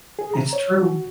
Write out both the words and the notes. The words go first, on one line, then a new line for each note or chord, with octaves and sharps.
It's true.
G#4
A#5
C#5
F#4